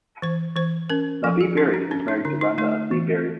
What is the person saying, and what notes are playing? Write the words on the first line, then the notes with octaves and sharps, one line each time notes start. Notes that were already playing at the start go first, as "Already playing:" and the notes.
Nabih Berri is married to Randa Assi Berri.
E3 C5
E3 C5
C#4 A#4
F3 A4
G#4
C#4 D#4
D4
C#4 D4
D#4
D3 D#4
D#4
A3 D#4
E3